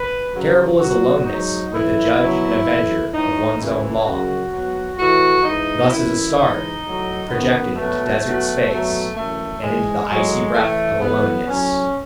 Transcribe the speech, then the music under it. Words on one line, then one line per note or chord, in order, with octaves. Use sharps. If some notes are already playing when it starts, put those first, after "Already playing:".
Terrible is aloneness with the judge and avenger of one's own law. Thus is a star projected into desert space, and into the icy breath of aloneness.
Already playing: B4
F#2 C#3 F#3
B2 F#3 F#4
G#2 F#3 D#4
A2 E3 E4
B2 F#3
A2 E3
A2 E3 D#4
F#2 C#3 E3 E4
F#2 C#3 F#3 F#4
B2 F#3
A2 E3 F#4
G#2 E3 D#4
F#2 E3 E4
G#2 E3 D#4
A2 F#3
F#2 D#3 F#3 B3
B2 F#3 A3
B2 F#3
B2 F#3 A3
F#2 E3 A3
G#2 E3 G#3
A2 F#3 G#3
A2 E3 A3
A2 E3 B3
A2 F#3 C#4